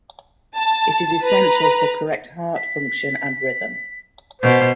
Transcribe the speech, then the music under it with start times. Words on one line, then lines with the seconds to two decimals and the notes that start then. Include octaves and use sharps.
It is essential for correct heart function and rhythm.
0.56 A5
1.24 B4 A#5
2.56 B6
4.42 B2 C5